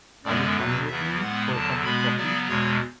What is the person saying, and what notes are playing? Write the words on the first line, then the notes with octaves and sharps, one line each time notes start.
Are you coming with me for a cup of coffee ?
F#2 D3 G#3 B3 D5
E2 B2 F#3 B4
E2 C#3 E3 B3 E5
A2 G#3 B3 F#5
E2 D3 F#3 A5
B2 G#3 B3 B5
C#3 F#3 B3 D5
E2 B2 G#3 C#5